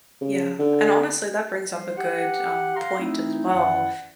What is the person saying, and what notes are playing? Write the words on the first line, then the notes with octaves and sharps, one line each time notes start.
Yeah, and honestly, that brings up a good, um, point as well
C#3
D3
G3 C5
G4 F#5
F5 F#5 A#5 C6
A3 C4 D#4 E4
F#2 D#3 E4 D5 F#5